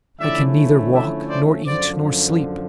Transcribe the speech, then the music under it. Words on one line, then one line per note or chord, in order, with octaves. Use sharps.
I can neither walk, nor eat, nor sleep.
D3 F3 A3 C#4 E4 D5 E5
D5 E5
C5 D5
F#2 D3 F3 C5 D5